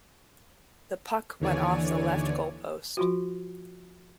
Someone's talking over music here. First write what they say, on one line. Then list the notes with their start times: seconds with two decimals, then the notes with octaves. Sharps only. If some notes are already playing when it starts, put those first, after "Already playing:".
The puck went off the left goal post.
1.40 D#2 D3 E3 C#5 D5 G#5
2.97 F3 F4 F#4